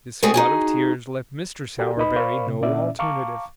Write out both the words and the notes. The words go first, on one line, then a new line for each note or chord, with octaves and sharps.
This flood of tears left Mr. Sowerberry no alternative.
G#3 A3 C4 F#4 G#4 A4
D#4 F#4 G#4
F#4 G4 A4 A#4 D5 G5
C#2 D#4 B4 D#5 B5
A#4 C5 D5 F5 B5 C#6
C3
A#2 C#4 E4 D5 E5
F5 A5 A#5 C#6 D6